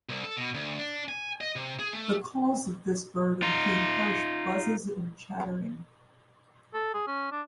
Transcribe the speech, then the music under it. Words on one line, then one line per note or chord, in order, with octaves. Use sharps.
The calls of this bird include harsh buzzes and chattering.
C2
A4
B2
D2
D4
G#5
D#5
C3
G#4
A3
D#4 F4
A4
G#4
C#4
D4